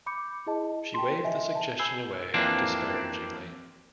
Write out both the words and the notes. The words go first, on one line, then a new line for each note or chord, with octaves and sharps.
She waved the suggestion away disparagingly.
B5 D6 G6 C#7
E4 G#4 D#5 A5
G5 A5 C6
D#5 E5 G#5
A5
G#5 B5 E6 G6 G#6 C7
F2 E3 A#3 C4 D4